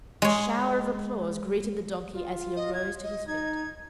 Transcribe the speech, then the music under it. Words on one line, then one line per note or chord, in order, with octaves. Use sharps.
A shower of applause greeted the Donkey as he arose to his feet.
G#3 C#5
F4
D#5
G#6
D#5
D#4 G#6